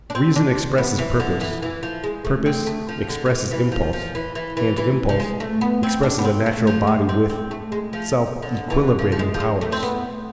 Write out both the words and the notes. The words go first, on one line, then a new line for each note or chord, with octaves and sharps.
Reason expresses purpose, purpose expresses impulse, and impulse expresses a natural body with self-equilibrating powers.
D4
C4
D4
B3
E3
D3
E3
E3
F3
G#3
A3
C4
A3
F3
D3
D3
E3
E3
F3
F3
E3
E3
E3
E3
F3
G#3
A3
B3
C4
D4
B3
C4
A3
F3
G#3
C4
C4
A3
G#3
F3
D3
E3
F3
F3
G#3
F3
G#3
A3
C4
B3